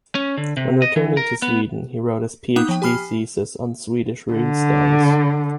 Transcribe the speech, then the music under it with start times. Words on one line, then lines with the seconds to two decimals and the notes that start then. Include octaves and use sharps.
When returning to Sweden he wrote his PhD thesis on Swedish runestones.
0.15 C#4
0.37 D3
0.57 C3
0.82 D#5
0.96 E3
1.17 A#4
1.42 B3
2.56 A#3 B3 D#4 D#6 F#6
2.69 F3 G5
2.82 G4 G#5 B5 F6 C7
4.33 D3